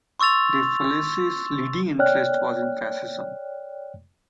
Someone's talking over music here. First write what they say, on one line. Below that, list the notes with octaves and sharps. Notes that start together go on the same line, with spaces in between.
De Felice's leading interest was in Fascism.
C6 C#6 E6 A6 F7
C#5 D5 G5 F6 F#6